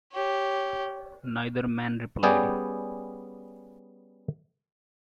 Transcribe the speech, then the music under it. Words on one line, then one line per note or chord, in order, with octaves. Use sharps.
Neither man replied.
G4 C#5
G3 B3 C#4 G#4 D5 G5